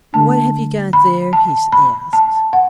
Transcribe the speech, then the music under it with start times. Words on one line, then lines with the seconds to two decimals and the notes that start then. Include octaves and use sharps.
"What have you got there?" he asked.
0.13 D3 A3 D4 A5
0.93 B5
1.33 A5
1.72 B5
2.13 A5
2.53 F#5